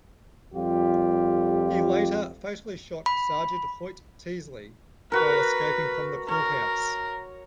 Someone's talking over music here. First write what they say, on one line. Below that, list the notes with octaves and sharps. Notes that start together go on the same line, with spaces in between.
He later fatally shot Sergeant Hoyt Teasley while escaping from the courthouse.
F2 G3 F4 G4
B5
F#4 A#4 B4
A#4 C#5